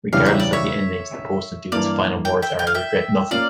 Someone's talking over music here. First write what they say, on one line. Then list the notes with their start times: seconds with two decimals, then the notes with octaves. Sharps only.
Regardless of the endings, the Postal Dude's final words are I regret nothing!
0.12 E2 C#3 G3 D4 G4 F5
0.26 E5
0.40 D5
0.53 C#5 E5
1.72 G2 E3 A#3 D5 F5
2.25 G5
2.42 E5 G5
2.59 G5
2.67 F5
2.74 E5 G5
3.31 A#3 C#4 F4 D5 F5